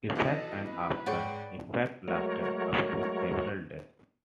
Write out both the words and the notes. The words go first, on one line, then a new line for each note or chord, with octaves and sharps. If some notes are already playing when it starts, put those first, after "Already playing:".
Effects and after-effects lasted up to several days.
B1 E3 A4 D#5
B4
G#2 G#4 C#5 D5 F#5 G5 C#6
F#3 G#3 A3 F#4 A#4 C#5